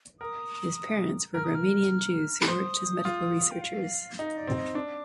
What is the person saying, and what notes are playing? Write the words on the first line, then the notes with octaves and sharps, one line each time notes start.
His parents were Romanian Jews who worked as medical researchers.
A#4 D#6
A#4 F6
D#6
F6
C5 D#6
F4
G5
F5
D#4 D#5
D5
C4
D#5
D4 D6